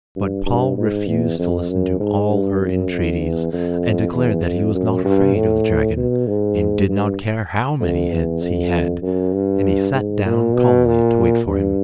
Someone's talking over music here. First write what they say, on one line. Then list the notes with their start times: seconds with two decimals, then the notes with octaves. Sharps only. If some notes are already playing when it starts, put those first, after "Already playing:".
But Paul refused to listen to all her entreaties, and declared that he was not afraid of the dragon, and did not care how many heads he had; and he sat down calmly to wait for him.
0.16 G2
0.46 G2
0.78 G#2
1.08 E2
1.39 F2
1.69 F#2
2.00 G#2
2.30 G2
2.61 F#2
2.91 F2
3.21 E2
3.53 F2
4.13 E2
4.43 F2
4.75 F#2
5.05 G2
5.36 A2
5.97 B2
6.27 G#2
6.89 G2
7.80 F2
8.11 E2
8.42 F2
9.02 F#2
9.33 G2
9.94 G#2
10.25 A#2
10.55 B2
10.86 A#2
11.47 G2